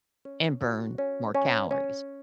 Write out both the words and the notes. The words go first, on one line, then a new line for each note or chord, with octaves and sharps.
and burn more calories.
C#4
F#4
C#4
C#4
C#4